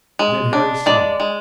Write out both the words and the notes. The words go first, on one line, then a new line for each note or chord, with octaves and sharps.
Then Harry saw.
G#3
D4
G#3 D5
G#3